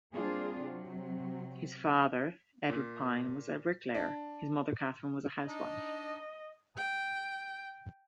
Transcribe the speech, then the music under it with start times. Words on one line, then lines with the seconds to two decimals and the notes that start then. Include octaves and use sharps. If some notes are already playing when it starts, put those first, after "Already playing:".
His father, Edward Pyne, was a bricklayer; his mother, Catherine, was a housewife.
0.14 G3 A#3 C4 D4 F4 G#4
0.60 C3 F#3
2.69 A#2
3.95 D4
5.47 D4 D#4 D#5
6.77 G5